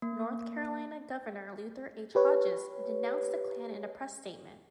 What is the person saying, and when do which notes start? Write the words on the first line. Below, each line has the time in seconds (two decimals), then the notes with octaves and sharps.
North Carolina Governor Luther H. Hodges denounced the Klan in a press statement.
0.02 A#3
2.15 G4 B4 C#5